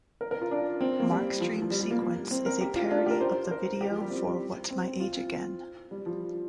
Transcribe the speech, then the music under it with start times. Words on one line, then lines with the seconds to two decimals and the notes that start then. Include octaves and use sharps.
Mark's dream sequence is a parody of the video for What's My Age Again?
0.21 A#4
0.31 A#4
0.41 F4
0.51 D4
0.81 C4
1.00 A#3
1.11 G3
1.41 F3
1.62 F3
1.71 G3
1.81 G3
1.91 A#3
2.01 A#3
2.31 C4
2.46 A#4
2.61 G4
2.76 F4
2.91 D4
3.06 G4
3.11 A#4
3.21 C5
3.51 A#4
3.81 G4
3.91 F3
4.01 G3
4.11 C4
4.71 C4
5.00 F4
5.16 C4
5.91 G3
6.06 F3